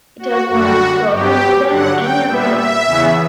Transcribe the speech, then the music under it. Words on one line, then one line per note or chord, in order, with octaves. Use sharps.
It has won this trophy more than any other university.
F#4
F#2 D3 G3 F#4
G2 F#3 B3 G4
G2 D3 F#3 F#5
G5
A#2 G3 B3 E5
E5
E2 C#3 E3 B3